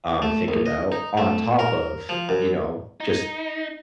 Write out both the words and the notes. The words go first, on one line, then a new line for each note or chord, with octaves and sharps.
um, think about on top of, you know, just
A3
A#1
D#5
D#4
A3
A#4
F3
F#2
D#4